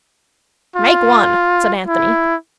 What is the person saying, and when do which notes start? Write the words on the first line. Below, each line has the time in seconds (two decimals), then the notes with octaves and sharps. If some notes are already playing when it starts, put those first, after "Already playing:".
"Make one," said Anthony.
0.76 F4
1.86 E4